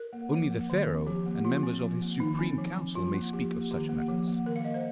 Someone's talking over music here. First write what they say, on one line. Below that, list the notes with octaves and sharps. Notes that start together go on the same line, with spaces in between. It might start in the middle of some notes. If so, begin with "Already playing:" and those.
Only the pharaoh and members of his supreme council may speak of such matters.
Already playing: A#4
A#3
F3
A#3
D#3
C4
F3 G4
A#3
F3 F4
C4
F3
A#3
D#3 D#4
C4
F3
C4
F3 F4
A#3
F3 G4
A#3
D#3 G4
A#3
F3
A#3
D#3 A#4
F5
A#3 D#5
C5